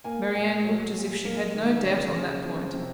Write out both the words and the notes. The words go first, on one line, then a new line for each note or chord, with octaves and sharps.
Marianne looked as if she had no doubt on that point.
A#3 G#5
A#2 G#5
F#3
A#2
A#3
D#3
C#3 C#5
C#3
F3
C3